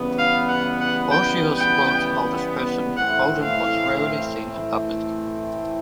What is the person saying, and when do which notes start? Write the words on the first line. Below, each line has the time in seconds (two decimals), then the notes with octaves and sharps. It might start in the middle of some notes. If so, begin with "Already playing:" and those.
While she was the world's oldest person Bolden was rarely seen in public.
Already playing: C#3 E3 G3 B3
0.19 F5
0.48 F#5
0.81 F#5
1.11 G5
1.57 G5
2.97 A2 E3 A3 C4 E4 F#5
3.43 F5